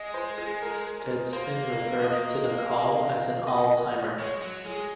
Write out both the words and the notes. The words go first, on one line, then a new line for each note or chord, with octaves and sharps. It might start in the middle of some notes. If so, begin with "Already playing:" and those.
Deadspin referred to the call as an All Timer.
Already playing: G#3 D#5
C5
G#4
A#4
A#3 C5
D#5
D#5
G#3 C#5
F#3
G#3 G#4